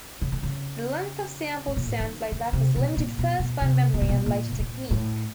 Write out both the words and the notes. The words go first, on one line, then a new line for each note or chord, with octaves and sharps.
The length of sampled sound playback was limited first by memory and later technique.
C#3
D3
C#3
A2
A#2
A2
D#3
D3
C3
B2
A#2
B2
B2
C3
B2
A#2
B2
A#2
B2
A#2
A2